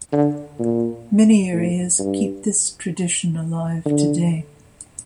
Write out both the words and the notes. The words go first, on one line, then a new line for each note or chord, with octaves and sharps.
Many areas keep this tradition alive today.
D3
A#2
A2
G2
D3